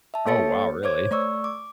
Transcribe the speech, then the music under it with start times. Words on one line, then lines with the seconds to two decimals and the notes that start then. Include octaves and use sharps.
Oh, wow, really?
0.14 E5 A5
0.26 A#3 A4 C#5 A6 C#7
0.83 C5 C#5 D6 G#6
1.11 A3 D5 C#6 E6
1.44 D6